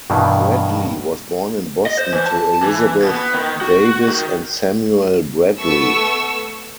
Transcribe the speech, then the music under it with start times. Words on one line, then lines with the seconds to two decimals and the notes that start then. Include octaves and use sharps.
Bradlee was born in Boston to Elizabeth Davis and Samuel Bradlee.
0.10 G2 B2 D#3 E3
1.86 D#5
1.99 C5
2.13 E3
2.26 A5
2.63 E3
3.02 B2
3.15 B3
3.34 D#3
3.61 F#4
4.08 D#3
5.59 A3 B3 C#6 E6